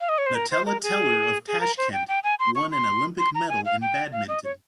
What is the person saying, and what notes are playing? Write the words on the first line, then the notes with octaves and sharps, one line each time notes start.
Natella Teller of Tashkent won an Olympic medal in Badminton.
F5
D#5
C#5
C5
A#4
C5
A#4
G#4
G#4
A#4
C5
G5
G5
G#5
C6
C#6
C6
C6
A#5
G#5
F5
G5
F5
D#5
C#5